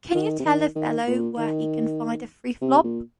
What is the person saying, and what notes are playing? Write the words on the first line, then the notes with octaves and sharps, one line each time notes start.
Can you tell a fellow where he can find a free flop?
D#3
C3
D#3
D#3
A#2
D#3
C3
A#2